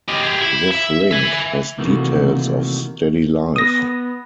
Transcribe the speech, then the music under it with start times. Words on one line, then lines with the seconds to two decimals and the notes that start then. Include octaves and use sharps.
This link has details of Steady life.
0.09 G4 D#5
0.23 G4 G#4
0.41 E4
0.71 E5
1.11 E5 G#5
1.78 C3 D#3 E3 A3 A#3 F#4
3.56 B3 D#6 A#6